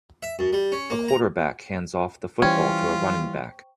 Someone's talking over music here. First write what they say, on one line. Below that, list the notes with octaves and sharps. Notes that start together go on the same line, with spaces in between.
A quarterback hands off the football to a running back.
E5
F#2
G3
C#4
A#3
A#5
E3 G3 C#4 F4 C5 G5 C#6